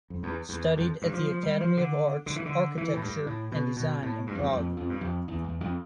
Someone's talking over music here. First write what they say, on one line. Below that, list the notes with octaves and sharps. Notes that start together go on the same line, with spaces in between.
Studied at the Academy of Arts, Architecture and Design in Prague.
F2
E2
E2
F2
G2
F3
F3
G3
F3
D3
D3
E3
D3
E3
A2
G2
A2
B2
B2
A2
G2
F2
G2
F2
F2
G2
F2
E2
E2
F2